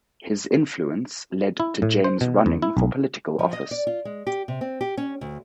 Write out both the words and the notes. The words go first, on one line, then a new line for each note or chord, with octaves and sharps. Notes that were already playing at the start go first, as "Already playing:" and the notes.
His influence led to James running for political office.
E4
A2
C5
B2
E2
E4
B1
F3
D#5
D5
F4
G#3
G4
C3
C4
G4
C#4
D2